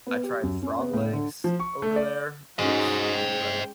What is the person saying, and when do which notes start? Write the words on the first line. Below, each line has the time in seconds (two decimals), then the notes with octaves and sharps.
I tried frog legs over there, which, w
0.07 B3
0.23 G4
0.43 F#2
0.62 C#4
0.78 B3
0.93 A2
1.13 D3
1.44 F3
1.60 C#6
1.82 A3
1.96 D5
2.59 G#3 C#4 D#4 F#4 C5 D#5
3.16 G5